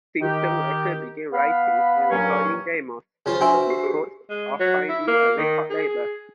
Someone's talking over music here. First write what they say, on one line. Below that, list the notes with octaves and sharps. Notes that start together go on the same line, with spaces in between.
Simpson later began writing and recording demos, in hopes of finding a record label.
D#3 G4
B3 F5 B5
G2 A#2 F#3 A#3 C#4
C#3 F4 C5
D4 F#4 C5 E5 G#5 C6
B4
G4
G4 G#4
G#3
F#3
E4
A#3
D#3
G#4